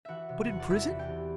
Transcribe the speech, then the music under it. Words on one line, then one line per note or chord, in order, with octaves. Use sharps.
"But in prison?"
E3 F#4 E5 F#5
C3
E2 F#4 F#5
D5
E2 E4 E5
E3
G4 G5
C3